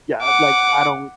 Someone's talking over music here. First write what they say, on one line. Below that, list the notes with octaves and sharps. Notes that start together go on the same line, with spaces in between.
yeah, like, I don't
F#5 D6